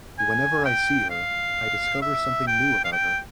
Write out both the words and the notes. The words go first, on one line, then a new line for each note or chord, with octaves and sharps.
Whenever I see her, I discover something new about her.
G#5
G5
F5
E5
G5
F5
G5